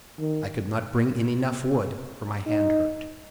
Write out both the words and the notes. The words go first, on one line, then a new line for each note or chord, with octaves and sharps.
I could not bring in enough wood, for my hand hurt.
D#3
D#4